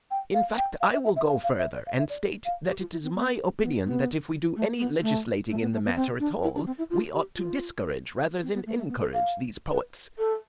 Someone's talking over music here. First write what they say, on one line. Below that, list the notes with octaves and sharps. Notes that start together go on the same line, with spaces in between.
In fact, I will go further and state that it is my opinion that if we do any legislating in the matter at all, we ought to discourage rather than encourage these poets.
G5
F5
G5
F5
E5
E5
E5
F5
F5
E5
D5
F5
E5
D5
F5
G4
F4
E4
C4
B3
B3
B3
A3
B3
A3
A3
B3
A3
B3
C4
D4
E4
D4
C4
E4
F4
G4
F4
C4
B3
A3
A3
B3
A4
F5
B4
A4